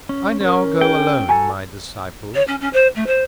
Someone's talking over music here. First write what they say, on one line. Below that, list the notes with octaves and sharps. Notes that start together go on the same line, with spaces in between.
I now go alone, my disciples!
C#4
C#4 A#4
G#4 G5
F#4 G4 A4 G#5 A#5
C#5
C#4
C#4
C5
A3
C5